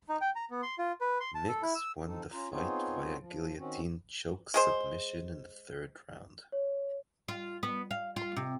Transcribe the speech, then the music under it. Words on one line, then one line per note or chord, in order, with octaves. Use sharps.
Mix won the fight via guillotine choke submission in the third round.
D#4
G5
A#5
B3
C6
F4
B4
C6
A5
A4
E4
E6
F3 C4 D#4 A4
C#4 F4 A#5
B3 C4 D#4 F4 G#4 C#5
F3
D#3 C4 C#4 F#4
G#3 G#4 C5
C#5
F4
B3
F5
F4
C3